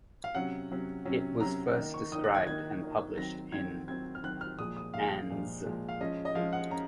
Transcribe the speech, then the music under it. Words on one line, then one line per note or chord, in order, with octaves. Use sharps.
It was first described and published in Anz.
F5
C3 F#3 C#4 F#5
C3 F#3 C#4
C3 F#3 C#4
C3 F#3 C#4 A#5
D#3 A#3 D#4
C#6
D#3 A#3 D#4 D#6
F#6
G#6
D#3 A#3 D#4 G#6
D#3 A#3 D#4
D#3 F#3 C4 A#6
D#3 F#3 C4 G#6
D#3 F#3 C4 G#6
F6
D#3 F#3 C4 F#6
F6
A#2 F3 G#3 D#6
D#6
A#2 F3 G#3 F5
A#2 F3 G#3
A#2 F3 G#3
F5
F3 G#3 C#4 D#5
D#5
F3 G#3 C#4 F5
F#5
C#4 A#5